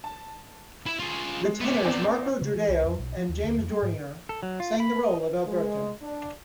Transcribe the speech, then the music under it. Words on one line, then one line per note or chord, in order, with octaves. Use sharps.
The tenors Marco Jordao and James Dornier sang the role of Alberto.
A5
E4 E5
F4 G#4
G#3
B3 D4
E2 C4 D5
C#3
E3
C2
F2
B1
F3
D#2
D2
F2
G3
G#2
A4
F#3
F4
B5
D#5
G#3
D4